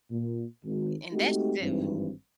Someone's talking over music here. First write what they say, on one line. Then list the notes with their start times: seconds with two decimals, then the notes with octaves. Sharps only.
N and that's def
0.11 A#2
0.65 G#1
1.12 G#3 A3 C4 D#4 F#4 G4
1.60 G#1 G2 D#3 E3 C4